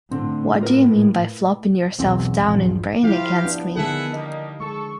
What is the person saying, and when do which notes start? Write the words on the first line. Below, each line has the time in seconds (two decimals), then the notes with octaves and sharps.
What do you mean by flopping yourself down and praying against me?
0.11 A2 D3 C4
0.61 F4 A#4 B4
1.99 B1 E2 C4
2.42 A#1 G2 F3
3.03 F3 E4 F4 G4 F5
3.45 B3 D4
3.75 D3 D#3 G#4 A4 E5 F#5
4.13 G3 A#3 D#5
4.60 G#3 A4 C#6